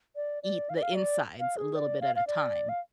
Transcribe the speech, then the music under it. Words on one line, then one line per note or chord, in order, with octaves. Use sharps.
eat the insides a little bit at a time
D5
D5
F5
D5
F5
D5
F5
G#4
D5
F5
F5
D5
F5